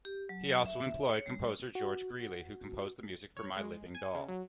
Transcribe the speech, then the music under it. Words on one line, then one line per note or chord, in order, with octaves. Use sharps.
He also employed composer George Greeley who composed the music for "My Living Doll".
G4
F#3
E5
C#5
G3
F#4
C#5
G#3
G#5
C#3
F#3